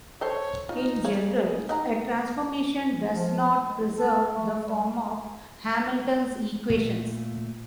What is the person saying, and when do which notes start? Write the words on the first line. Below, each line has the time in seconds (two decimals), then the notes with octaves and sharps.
In general, a transformation does not preserve the form of Hamilton's equations.
0.21 A4 C5 C#5 A5
0.69 D#4 F4
1.05 G#4 C#5 F5
1.69 D#4 F#5 A#5
3.14 F3
3.64 G#3
3.98 A4
4.35 A3
4.64 G3
6.70 A#2 A3